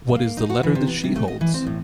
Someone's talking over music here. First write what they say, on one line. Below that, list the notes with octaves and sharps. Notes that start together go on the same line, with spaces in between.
What is the letter that she holds?
A#3
D#4
F#4
E3
C3
B3
C3
A3
D#5
E3
C4
A2